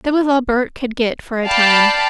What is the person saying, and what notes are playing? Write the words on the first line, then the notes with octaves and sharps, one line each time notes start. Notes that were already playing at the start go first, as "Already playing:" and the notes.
That was all Bert could get for a time.
D5 F5 G5 A5 B5